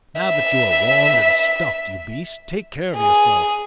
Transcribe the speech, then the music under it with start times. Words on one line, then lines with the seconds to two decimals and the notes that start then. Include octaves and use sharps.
Now that you are warmed and stuffed, you beast, take care of yourself.
0.21 E5
2.97 G#4